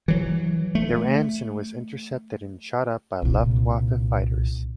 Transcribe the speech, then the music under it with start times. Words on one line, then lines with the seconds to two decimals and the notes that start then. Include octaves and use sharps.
Their Anson was intercepted and shot up by Luftwaffe fighters.
0.08 E3 F#3
0.75 A3
3.22 C2 A#2